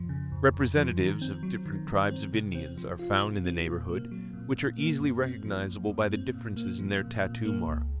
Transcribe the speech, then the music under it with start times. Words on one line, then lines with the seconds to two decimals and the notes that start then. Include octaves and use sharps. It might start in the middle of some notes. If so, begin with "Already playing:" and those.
Representatives of different tribes of Indians are found in the neighborhood, which are easily recognizable by the differences in their tattoo marks.
Already playing: F2 F3
0.09 C#3
0.32 F2
0.54 F2
0.77 F3
0.99 D#3
1.21 C4
1.43 F#3
1.66 D#3
1.88 D#3
2.10 C4
2.33 C3
2.55 C4
2.77 F3
2.99 F4
3.21 C3
3.45 C4
3.67 A#2
3.89 A#3
4.11 F#3
4.33 A#2
4.56 A#2
4.78 A#3
5.00 F#2
5.22 C4
5.45 F3
5.67 F#2
5.89 F#2
6.11 C4
6.34 A#2
6.56 A#3
6.79 F3
7.01 A#2
7.23 A#2
7.45 A#3
7.68 C#2